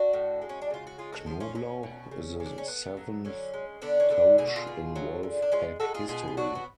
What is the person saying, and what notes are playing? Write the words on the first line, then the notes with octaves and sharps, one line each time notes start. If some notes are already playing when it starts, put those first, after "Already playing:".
Knoblauch is the seventh coach in Wolf Pack history.
Already playing: D4 F#4
A2
G#3
C#4
D4
C#3 F4
F#4
G#3 F4 G#4
F#4 A4
F3 F4 G#4
C#4 F4
B2 C#4
B2
C#3
C#3
D4
C#4
A3 B3
F#3
D3 C#4
G#3
D3 B3 D4
C#4
D3 B3 D4
B2 G#4
F#4
F4 G#4
B2
F#3
D3
D4
G#3 C#4 F4
G#3 F#4 A4
F4 G#4
B2 F4 G#4
F4
F#3 D4 F#4
B3